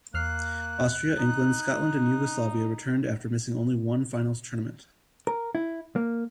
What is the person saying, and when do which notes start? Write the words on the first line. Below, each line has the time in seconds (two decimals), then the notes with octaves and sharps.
Austria, England, Scotland and Yugoslavia returned after missing only one finals tournament.
0.14 E2 A#3 F6 F#6 C7
1.18 D#4
5.27 A#4
5.55 E4
5.96 A#3